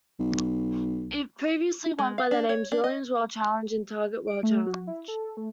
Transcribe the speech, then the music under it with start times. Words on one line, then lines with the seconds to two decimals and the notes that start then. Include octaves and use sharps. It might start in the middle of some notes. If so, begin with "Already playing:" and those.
It previously went by the names Williams World Challenge and Target World Challenge.
0.20 B1
1.99 G#3
2.18 F5
2.31 D4
2.49 C#5
2.72 D4
2.84 D#5
4.27 D7
4.43 A3
4.67 F#4
4.87 E4
5.08 A4
5.37 A3